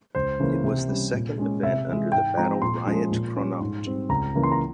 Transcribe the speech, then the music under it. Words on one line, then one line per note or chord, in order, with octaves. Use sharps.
It was the second event under the Battle Riot chronology.
C#2 C5
C#3 E3 A#3
C3
G3 C#4
A#2
G#3 C#4
C3 E5
E3 G#3
G#2 G5
F3 G#3 C4 A#5
A#2 C6
F3 G#3 C#4
A#2
G3 C#4
G#2
G3 C4
C#2 A#5
C#3 E3 A#3
C6
A#5